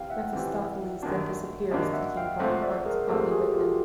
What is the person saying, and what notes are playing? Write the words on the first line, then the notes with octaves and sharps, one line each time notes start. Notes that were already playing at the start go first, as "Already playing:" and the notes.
Mephistopheles then disappears, taking Blackheart's body with him.
Already playing: C3 E3 G3 F5 G5
E5 F#5
C3 E3 G3
F#2 D#3 G3 A#3 D4
F#2 D#3 G3 A#3 D4 D#5 F5
E5 F#5
F5 G5
G#2 F3 A3 C4 E5 F#5
D5 E5
G#4 A#4
G#2 F3 A3 C4 G4 A4
F#4 G#4
F4 G4